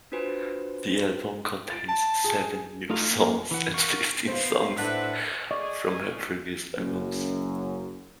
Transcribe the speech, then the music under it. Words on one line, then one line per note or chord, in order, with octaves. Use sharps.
The album contains seven new songs and fifteen songs from her pervious albums.
D4 F4 F#4 B4 C5 G#5
A6 D7
A5
G#4
A3 D#4 F4 F5
A#3
E3 F#5
A#4 F5 F#5 C#6
B3 C5 F5
A2 D4 B4 E5 F#5
A3 G#4 D5 D#5 C#6 D6
F#1 F#2